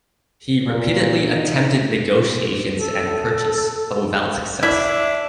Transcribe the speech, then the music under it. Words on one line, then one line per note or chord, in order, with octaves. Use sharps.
He repeatedly attempted negotiations and purchase, but without success.
A#2
D#4
A4
D4 E4 E5